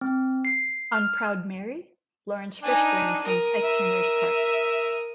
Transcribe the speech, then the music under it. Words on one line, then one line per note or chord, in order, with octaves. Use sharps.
On "Proud Mary," Laurence Fishburne sings Ike Turner's parts.
C4
C7
F6
D4 D#4 G#5
A#4 D#6
E5